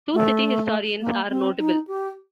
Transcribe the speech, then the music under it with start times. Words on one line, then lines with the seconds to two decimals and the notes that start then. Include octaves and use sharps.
Two city historians are notable.
0.13 A3
1.00 A#3
1.29 C4
1.58 D#4
1.87 G4